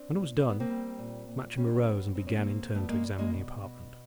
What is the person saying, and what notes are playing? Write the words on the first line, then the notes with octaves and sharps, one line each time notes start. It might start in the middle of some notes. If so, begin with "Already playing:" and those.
When it was done, Matcham arose and began, in turn, to examine the apartment.
Already playing: C4 D4
A#2
G3 C4
B3
A#3 C4
G3
A#2
A#2
G3 C#4
D4
B3 C#4
G3
B2 C4
C#4
A#3 C4
B2
G3 A3 B3
G#3 A#3
G3
G#3 A#3
B2
B2